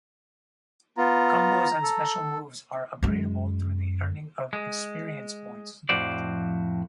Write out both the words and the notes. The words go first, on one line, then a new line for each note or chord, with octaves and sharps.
Combos and special moves are upgradeable through the earning of experience points.
B3 F4 A#5
A4
F#2 G#3
G#3
F2 A2 F3 F#4 C5 D5